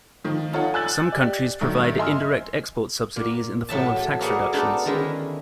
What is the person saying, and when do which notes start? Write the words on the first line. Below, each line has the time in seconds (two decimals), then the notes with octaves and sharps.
Some countries provide indirect export subsidies in the form of tax reductions.
0.24 D#3 F3
0.53 D#4 F4 A4 C#5 F#5
0.74 G#5 E6 F#6 G6 A6 F#7
1.12 G4 D5
1.61 G2 D#3 F#3 A3
1.98 D#5 E5 G#5 C6 E6 F6
3.16 A#2
3.69 A2 F#3 E5 A5
3.96 A3
4.20 A#3 F#4 G#4 B4 C#5 D5
4.53 A3 B3 D4 D#4 A4 A#4
4.85 D3 D#3 G#3 C#4 E4